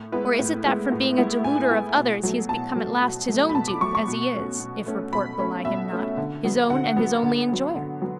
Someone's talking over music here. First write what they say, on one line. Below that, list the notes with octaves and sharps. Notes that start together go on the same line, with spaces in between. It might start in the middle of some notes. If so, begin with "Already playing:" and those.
Or is it that from being a deluder of others he has become at last his own dupe as he is, if report belie him not, his own and his only enjoyer?
Already playing: A2
G#3 B3 E4 B4
A2
G#3 B3 E4
A2
G#3 B3 E4
A2 G#5
G#3 B3 E4
B2
F#3 A3
B2 A5
F#3 A3
B2
F#3 A3
B5
B2 A5
D6
F#3 A3 C#6
C#6
B2
A3 C#4
B2
A3 C#4
B2 B5
A3 C#4
B2 E5
A3 C#4
D3
F#3 B3
D3 F#5
F#3 B3
D3
F#3 B3
D3
F#3 B3